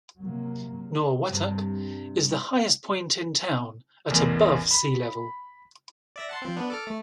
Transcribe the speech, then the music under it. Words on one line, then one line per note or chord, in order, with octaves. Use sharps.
Norwottuck is the highest point in town at above sea level.
C3 F#3 A#3
G2 C3
A1 E2 A3 A#4 G#5
B5
D5 E5 A#6
F#5 A5 C6
F3 C4
B3 D4
A4 D6 F6
A3